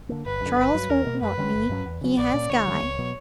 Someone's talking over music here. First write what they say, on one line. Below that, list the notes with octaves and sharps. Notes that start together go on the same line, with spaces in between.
Charles won't want me, he has Guy.
D3 A#3
G1 B4
F#2 D3
G1 B4
G2 F#3
E2 A#4
B2 A#3
F#2 B4
D3 G3 C#4
G1
G2 F#3 C#4
E2
C#3 F#3
A#1 D5
A#2 A#3 C#4
D2 C#5
D3 G3
C#2
B2 F#3 B3